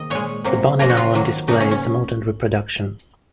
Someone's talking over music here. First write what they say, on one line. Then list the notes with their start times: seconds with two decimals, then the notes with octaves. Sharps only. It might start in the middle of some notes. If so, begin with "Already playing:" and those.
The banner now on display is a modern reproduction.
Already playing: D#3 A#3 D#5
0.10 A#2 G#3 C#5
0.44 C3 F#3 A#3
0.79 C#3 F3 A#3 A#4
0.89 F#4
0.97 F4
1.14 D#3 F#3 A#3
1.48 C#3 F#3 A#3 D#4
1.60 C#4
1.71 C#4